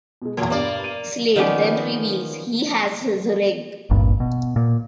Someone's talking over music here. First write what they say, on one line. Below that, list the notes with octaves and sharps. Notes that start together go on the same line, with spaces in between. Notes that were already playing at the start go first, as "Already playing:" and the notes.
Slade then reveals he has his ring.
B2 G#3
E2 A#2 F3
G2 B2 A#3 D5
D#7
D#3 F3 B3 C#4 D5
D1 G#1 G2 A#2
B2
A#2